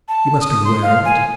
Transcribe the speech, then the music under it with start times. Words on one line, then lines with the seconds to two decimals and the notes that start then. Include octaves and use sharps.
You must be aware of it.
0.09 A5
0.41 D#6
0.65 C6
0.82 F5
1.05 G#5